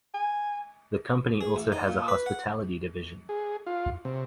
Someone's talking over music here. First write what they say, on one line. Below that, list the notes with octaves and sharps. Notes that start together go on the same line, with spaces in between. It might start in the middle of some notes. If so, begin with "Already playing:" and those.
The company also has a hospitality division.
G#5
G#4
A1
D#4
A#2
B4
F#5
G#4
F4
C3